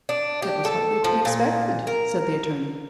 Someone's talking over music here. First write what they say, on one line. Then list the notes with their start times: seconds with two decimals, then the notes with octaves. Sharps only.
"That was hardly to be expected," said the attorney.
0.09 D4
0.42 G4
0.65 A4
1.04 F3
1.25 A#2
1.87 A#4